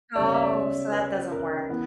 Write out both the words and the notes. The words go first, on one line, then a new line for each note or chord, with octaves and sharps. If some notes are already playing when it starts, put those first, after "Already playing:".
Oh, so that doesn't work,
C#3 G3 B3 D5
C#5
E5
D5
C#5
B4
A#4
E3 B3